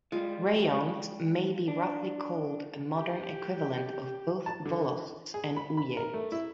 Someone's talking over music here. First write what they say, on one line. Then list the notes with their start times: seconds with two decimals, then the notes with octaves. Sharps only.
Raions may be roughly called a modern equivalent of both volosts and uyezds.
0.12 G3 G#3 F4
1.68 D4
2.97 G4
4.46 A5
4.66 D3
5.34 G#4
5.56 B5
5.77 B5
5.97 A#4
6.14 A3
6.32 E4